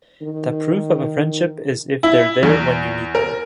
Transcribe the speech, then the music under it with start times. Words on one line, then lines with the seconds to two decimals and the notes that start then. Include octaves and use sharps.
The proof of a friendship is if they're there when you need them.
0.22 D#3
2.03 E4
2.43 E2
3.15 A#4